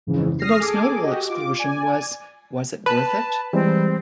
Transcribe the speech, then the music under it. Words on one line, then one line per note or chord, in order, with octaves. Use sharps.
The most notable exclusion was Was It Worth It?
F2 G#2 C#3 E3
D#6 F6 A#6 C7
G#4 A4 G#5 D6
F#4 G4 D#5
F4 D6
D5 G#5
B4 A5
E3 G3 G#3 C4